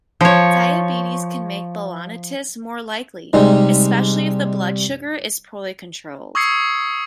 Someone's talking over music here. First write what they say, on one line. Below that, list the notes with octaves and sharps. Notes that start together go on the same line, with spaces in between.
Diabetes can make balanitis more likely, especially if the blood sugar is poorly controlled.
F3 C#5
C3 G3 G#3 D#4
C#6 D#6 E6 G#6 C7 C#7